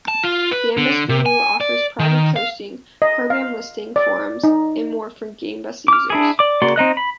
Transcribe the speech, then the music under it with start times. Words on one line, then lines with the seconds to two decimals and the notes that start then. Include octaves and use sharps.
Gambas Guru offers project hosting, program listing, forums and more for Gambas users.
0.08 A5
0.24 F4
0.51 B4
0.77 D3
1.09 C3
1.26 G#5
1.61 D5
1.99 D#3
2.36 F5
3.02 D#5
3.30 F5
3.96 D5
4.44 D#4
5.88 D6 F6
6.10 D4 E4 G#4
6.39 D5 D6
6.62 C#3 A#3 F#4 D5 C6
6.76 C4 D#4 D#5 F#6
6.97 B5